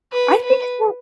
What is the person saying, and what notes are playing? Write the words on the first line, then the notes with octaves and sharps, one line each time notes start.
I think so
B4
B4